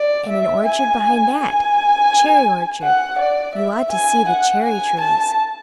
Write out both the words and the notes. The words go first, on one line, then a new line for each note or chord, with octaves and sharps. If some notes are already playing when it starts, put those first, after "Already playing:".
And an orchard behind that--cherry orchard. You ought to see the cherry trees!
Already playing: D5
E5
G#5
G#5
F#5
D5
E5
G#5
F#5
G#5
A5